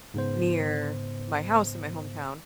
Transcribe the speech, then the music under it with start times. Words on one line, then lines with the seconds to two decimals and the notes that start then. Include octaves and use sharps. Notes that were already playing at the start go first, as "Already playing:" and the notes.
near my house in my hometown.
0.14 G#2 C#3 B3 C5